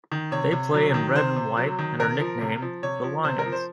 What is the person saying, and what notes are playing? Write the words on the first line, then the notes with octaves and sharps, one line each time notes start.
They play in red and white and are nicknamed "The Lions".
D#3
C3 C#5
C3
F#3
D#3
C3 C5
C3
F#3
D#3
C3 A#4
F3
C3
F3
C3 C#5
F3
C3 C5
A#4
F3
C5